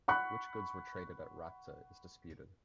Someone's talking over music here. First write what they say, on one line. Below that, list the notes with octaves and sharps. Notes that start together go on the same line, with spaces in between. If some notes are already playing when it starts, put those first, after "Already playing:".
Which goods were traded at Rhapta is disputed.
F#5 B5 C#6 F#6